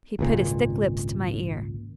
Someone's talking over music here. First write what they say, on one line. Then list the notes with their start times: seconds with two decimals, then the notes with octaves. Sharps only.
He put his thick lips to my ear.
0.19 G#1 C#2 A#2